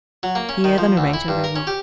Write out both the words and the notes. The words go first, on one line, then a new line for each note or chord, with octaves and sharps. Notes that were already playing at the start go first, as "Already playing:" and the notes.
Here the narrator rang off.
F#3
A#3
C#4
D#3
F3
D2
E4
G2
A#4
C#4
G4